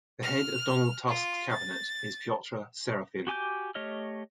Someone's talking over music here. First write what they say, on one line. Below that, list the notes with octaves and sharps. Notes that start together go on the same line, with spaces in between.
The head of Donald Tusk's cabinet is Piotr Serafin.
F6
F4
A6
F#4 G4 G#5 D6 G6
A3 G4 C#5 D#5 F6